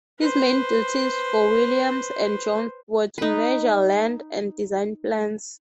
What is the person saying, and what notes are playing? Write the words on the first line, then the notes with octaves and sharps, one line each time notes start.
His main duties for Williams and Jones were to measure land and design plans.
B4 C5
D#4 B4